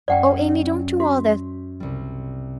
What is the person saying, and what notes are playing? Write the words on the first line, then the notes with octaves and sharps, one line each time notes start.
'O Amy, don't do all this.
F#2 C#4 D5 F#5 G5
F#4 B6
C2 G3